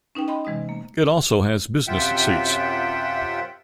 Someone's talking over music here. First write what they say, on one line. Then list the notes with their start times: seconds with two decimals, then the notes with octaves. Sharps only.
It also has Business Seats.
0.15 C#4 D#4 B4 G5
0.28 D#5 G5 B5 C6
0.45 C3 E3 G#3 D#5 D#6
0.69 A#3
1.88 F#2 C3 F4 E5 F#5 G5